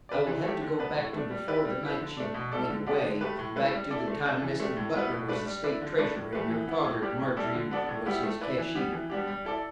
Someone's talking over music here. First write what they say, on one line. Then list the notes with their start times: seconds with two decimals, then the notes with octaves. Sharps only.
I will have to go back to before the night she--went away, back to the time Mr. Butler was the state treasurer, and your father, Margery, was his cashier.
0.09 D4 B4 D5
0.27 E3
0.44 A3 G4
0.61 D3
0.79 B3 D4 B4
0.96 A2
1.13 A3 D4
1.31 G3
1.48 E4 G4 B4 D5
1.65 G3
1.83 E4 B4
2.00 D3
2.17 A3 D4
2.34 B2
2.52 G3 E4 A4 D5
2.69 D3
2.86 B3 D4 G4 D5
3.04 D3
3.21 A3 G4 B4
3.39 A2
3.56 A3 E4 B4
3.73 G3
3.91 E4 A4 D5
4.08 A3
4.25 D4 A4
4.42 E3
4.60 A3 D4 G4
4.77 A2
4.94 G3 B3 E4 B4
5.12 B2
5.28 A3 D4 B4 D5
5.46 G3
5.64 E4 B4 D5
5.81 D3
5.98 A3 D4 B4 D5
6.16 A2
6.33 E3 A3 G4 B4
6.50 E3
6.67 B3 E4
6.85 A2
7.02 G3 D4 G4 D5
7.19 A2
7.37 G3 E4 A4 D5
7.54 D3
7.71 B3 D4 A4 D5
7.89 A2
8.05 G3 B3 E4 G4
8.23 A3
8.41 E4 B4 D5
8.58 E3
8.75 G3 B3 G4
8.93 E3
9.10 G3 B3 D4 G4
9.27 G3
9.45 E4 A4 D5